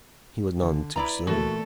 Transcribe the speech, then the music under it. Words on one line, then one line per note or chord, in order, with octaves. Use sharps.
He was none too soon.
D3
E4 B4 D5 A#5
A#2 E3 A3 F#4 A4